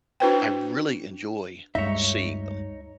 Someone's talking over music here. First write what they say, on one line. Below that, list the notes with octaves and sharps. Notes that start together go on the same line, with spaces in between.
I really enjoy seeing them.
D4 E4 F#4 B4 C5 G5
D2 G2 G3 G#3 D#4 C#5 E5